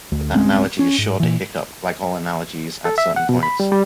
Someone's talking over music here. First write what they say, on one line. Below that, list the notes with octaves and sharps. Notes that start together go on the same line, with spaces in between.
But that analogy is sure to hiccup, like all analogies, at certain points.
D2
D1 G#3 C4 C#4
C#4
G#2
A#2 E3
A4
E5
F#5
B2
B5
G3
G3